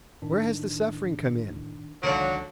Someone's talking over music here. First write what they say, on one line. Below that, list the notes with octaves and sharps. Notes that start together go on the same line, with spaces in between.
Where has the suffering come in?
A2 D#3 D4
C#2 D3 D#3 F#3 A#4 C#5 F5